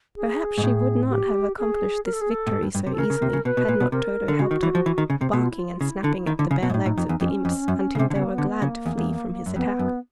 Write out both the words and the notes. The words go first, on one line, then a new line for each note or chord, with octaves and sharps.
Perhaps she would not have accomplished this victory so easily had not Toto helped her, barking and snapping at the bare legs of the imps until they were glad to flee from his attack.
G#4
G#2
A2
G4
G#4
A#4
A4
G#4
A4
A2
G#2
G2
G2
C3
A4
C#3 A#4
C#3
C3
C#3
B2 B4
B2
A#2
B2
C3 A#4
D3
C#3 F#4
D#3
E3
F3
E3
D#3
C#3
C3
B2 F#4
F4
E4
F4
C#3 E4
D3
D#3
D3
C#3
B2
G#2
A2 D#4
A2
F2
E2
F2 C#4
F2
F#2
C#3
C3
D3
C#3 B3
A#3
B3
D3
C#3 A#3
E2
E2
F#2
F2 B3
F#2